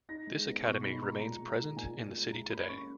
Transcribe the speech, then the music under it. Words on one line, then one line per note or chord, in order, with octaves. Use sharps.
This academy remains present in the city today.
D#4 A#6
G#3
B3
B2 C#6
D#4 B5
G#3 A#5
A#2 A#5
G#3
A#5
D#4
A#2 G#5
A#2
G#3
E4 A#5
A#3 B5
C#4 C#6